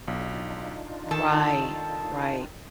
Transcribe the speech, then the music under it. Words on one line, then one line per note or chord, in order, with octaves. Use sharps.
Right, right,
B1 D4 D#4 F4
D#3 A4 A5